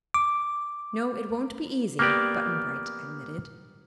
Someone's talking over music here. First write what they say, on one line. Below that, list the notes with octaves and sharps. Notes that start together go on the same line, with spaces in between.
"No; it won't be easy," Button-Bright admitted.
D6
A#3 B3 G4 D5